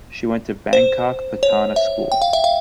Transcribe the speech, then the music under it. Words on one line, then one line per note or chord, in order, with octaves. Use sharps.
She went to Bangkok Patana School.
C5
C#5
E5
G5
F5
E5
F5